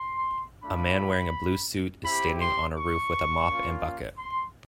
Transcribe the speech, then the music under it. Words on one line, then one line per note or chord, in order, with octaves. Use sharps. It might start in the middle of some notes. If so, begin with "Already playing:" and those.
A man wearing a blue suit is standing on a roof with a mop and bucket.
Already playing: C6
A3 D4 F4 B5
C4 E4 G4 B5
C6
C#6
A#3 C#4 F4
C6